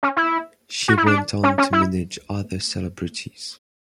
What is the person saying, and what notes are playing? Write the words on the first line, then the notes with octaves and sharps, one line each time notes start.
She went on to manage other celebrities.
C#4
E4
F#4
E4
D4
C#4
C#4
E4